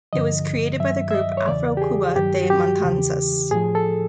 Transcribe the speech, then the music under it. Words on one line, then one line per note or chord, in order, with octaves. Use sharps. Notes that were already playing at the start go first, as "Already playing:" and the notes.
It was created by the group Afro-Cuba De Matanzas.
G2 D3 F3 D#5
G2 D#3 F#3 E5
E5
D#5
C#5
E2 C#3 E3 D5
G4
G#4
G2 D#3 F#3 G4
F#4
G4
E2 C#3 E3
A2 F3 G#4
A4